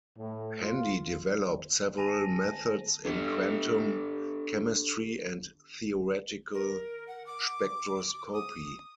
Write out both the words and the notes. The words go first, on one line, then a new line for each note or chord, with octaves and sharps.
Handy developed several methods in quantum chemistry and theoretical spectroscopy.
A2
F4
G#5 A5 A#6 D#7 F7
D4 G4 A4
A#4
F#5
D6
D#6